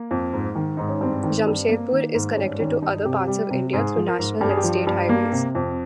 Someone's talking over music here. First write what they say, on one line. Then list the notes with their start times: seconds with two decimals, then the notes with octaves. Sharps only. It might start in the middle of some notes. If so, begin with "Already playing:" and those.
Jamshedpur is connected to other parts of India through national and state highways.
Already playing: A#3
0.11 F2
0.33 G#2
0.56 D#3
0.77 G#2 D#4
0.89 C#4
1.01 G2 C4
1.24 D#3
1.47 G2
1.69 A#3
1.92 D#3
2.14 G#2
2.37 G2 C#4
2.60 D#3 C#4
2.82 G2 D#4
3.05 C3 G4
3.27 G3
3.50 C3
3.73 G#2 G#4
3.96 F3
4.08 A#4
4.19 G#2
4.41 G2 G4
4.49 G#4
4.57 G4
4.64 F3
4.87 G2
5.09 A#3
5.32 C3
5.55 F2